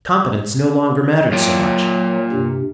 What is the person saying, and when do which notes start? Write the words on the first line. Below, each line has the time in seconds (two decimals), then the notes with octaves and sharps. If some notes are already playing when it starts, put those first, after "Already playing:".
Competence no longer mattered so much.
1.32 F#3 A#3 F4 G5
2.32 G2 C3